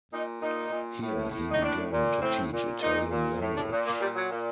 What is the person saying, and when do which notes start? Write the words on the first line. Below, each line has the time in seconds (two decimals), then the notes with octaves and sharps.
Here he began to teach Italian Language.
0.11 A#2 D#4
0.41 A#2 D#4
0.71 A#2
1.01 A2
1.31 A2
1.51 D#4
1.61 A2 D4
1.91 A#2
2.20 A2 C4
2.51 A#2
2.80 A#2 D#4
3.10 A#2
3.40 A2
3.55 D4
3.71 A#2
3.85 A#3
4.00 A#2 G3
4.15 F#3
4.30 A#2